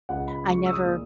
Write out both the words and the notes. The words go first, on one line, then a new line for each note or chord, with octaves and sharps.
I never
C#2 F#5
B5
G#3 C#6
E6
D#6
A#2